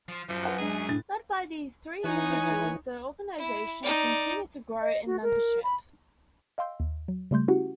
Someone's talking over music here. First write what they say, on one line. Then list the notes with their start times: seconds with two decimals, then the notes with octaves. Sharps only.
Led by these three individuals, the organization continued to grow in membership.
0.09 F3 F4
0.29 F#2 F3
0.43 B4 F#5 F#6
0.59 G#3 D4 G#4
0.88 A2 D4 A6
2.04 E3 D#4 B4 C#5 G#5
3.38 E4
3.83 D#4 D5
4.82 D#5
5.06 F#4
5.23 A#4
5.64 B5
6.58 D#5 F5 G5 C6 E6 G6
6.80 D#2
7.08 F#3
7.31 C#3 G3 A3 C6 G6
7.48 C#4 E4 F#4 G4 F#5